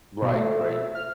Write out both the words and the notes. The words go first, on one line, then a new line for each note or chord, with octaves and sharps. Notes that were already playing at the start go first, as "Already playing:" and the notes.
Right, right.
B2
A3
E5
F6